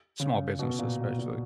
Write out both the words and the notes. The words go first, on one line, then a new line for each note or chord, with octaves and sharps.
small businesses, especially.
C#3
B2
A#2
B2
A#2